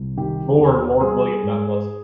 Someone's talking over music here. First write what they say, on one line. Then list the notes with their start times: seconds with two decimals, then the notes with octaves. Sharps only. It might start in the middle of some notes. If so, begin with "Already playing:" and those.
Born Lord William Douglas.
Already playing: C2
0.17 D#3 G4
0.59 D#2
1.00 G3 G#4
1.42 G#2